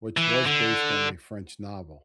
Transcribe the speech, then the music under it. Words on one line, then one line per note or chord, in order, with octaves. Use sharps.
which was based on a French novel,
E3
D3